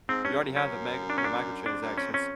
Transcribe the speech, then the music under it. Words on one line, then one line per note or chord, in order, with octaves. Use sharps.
you already have the meg the microtransactions,
G#2 C4
G2 C#4
F#2
C#4
D4
C#4
D4
F2 D4
F#2
F2 C#4
C#4